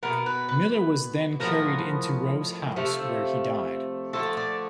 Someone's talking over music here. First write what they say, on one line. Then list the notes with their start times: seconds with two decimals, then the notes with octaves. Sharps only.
Miller was then carried into Roe's house, where he died.
0.03 B2 G#3 B3 A#4
0.26 B4
0.49 B4
1.40 A2 F3 G#3 B3 A#4
2.76 C3 F3 A3
4.13 D3 F3 A3 A4
4.37 D5